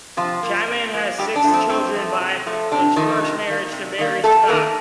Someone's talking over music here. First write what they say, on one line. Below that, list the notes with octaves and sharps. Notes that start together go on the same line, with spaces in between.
Chapman had six children by his first marriage to Mary Scott.
C3 F3 F4
F3 A#3
C3
F3 A#3
G2 G3 G4
D4
F3 A3
C4
G2 C4
F3 A3
C3
F3 A3
C3 D4
D#3 F3 A3 D#4
C3
D#3 A#3
C3
D#3 A#3
F2 A3 A4
D#3 A3 A#3 A#4